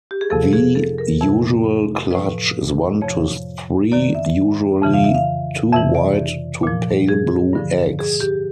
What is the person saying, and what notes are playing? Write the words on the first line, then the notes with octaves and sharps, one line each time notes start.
The usual clutch is one to three, usually two white to pale blue eggs.
G4
G#4
F2 C3 F3 A4
G#4
A4
A#4
F2 C3 E3
A2 F3 B4
F2 C3 F3 C#5
F#2 D#3 D5
E5
F2 C#3 E3
F5
E5
F5
F2 C3 E3 E5
D5
A#2 F3
G#4
G2 D3 F3
G#4
G4